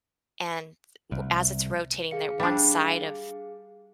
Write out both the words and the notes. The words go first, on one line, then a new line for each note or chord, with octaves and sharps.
and w as it's rotating, that one side of
C2
G#4 F5 C#7
G3 D4